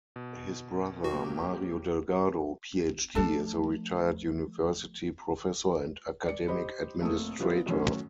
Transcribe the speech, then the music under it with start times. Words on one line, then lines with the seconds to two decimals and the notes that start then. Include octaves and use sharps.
His brother, Mario Delgado, Ph.D., is a retired university professor and academic administrator.
0.16 B2
1.04 F#3 A#3 F#4 G4
3.15 F3 A3 D4 A4 A5
6.26 D5 C#7
6.48 G4 C5 D#5 B5
7.01 F1 A3 A#3 D#6
7.39 F3 G3 B3 C4 E4 F4
7.66 F#2 A2 D#3 F#3 A3 C#4